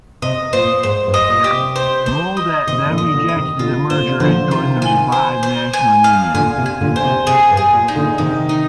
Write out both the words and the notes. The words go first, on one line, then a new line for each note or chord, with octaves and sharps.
Moledet then rejected the merger and joined the revived National Union.
C3 D#5
A#2 C5
G#2 C5
G2
D#5
A#2
G4
C3
C5
C5
D#5
C3 D#3 D#5
C3
A#2 D3
D#5
A#2 D3
D#5
C3 D#3
A#2 D3 F4
A#2 D3 C5
D3 F3 C5
C3 D#3 F4
G#5
C5
C5
G#5
F5
A#2 D3 G#5
C3
G#5
A#2 D3
C5
C3
C3 G#4
G2
G#4
A#2
D#4
A#2 D3
C3 D#3 D#4
D#4